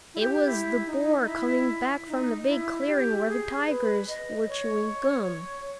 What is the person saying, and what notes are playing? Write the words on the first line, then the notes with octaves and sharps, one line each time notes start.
It was the boar coming back from the big clearing where the tigers were chewing gum.
E4
G4
E4
D#4
D#4
E4
D#4
E4
G4
G#4
B4
D#5
C#5